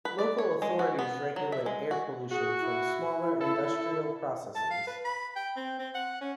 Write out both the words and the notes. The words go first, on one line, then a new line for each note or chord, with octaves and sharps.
Local authorities regulate air pollution from smaller industrial processes.
B4
D5
C#5
G#3
F#4
B3
F#3
E5
G#3
F#4
F#4 G#4
E4
A4
A5
F5
B4
B5
G5
C4
C4
F#5
C#4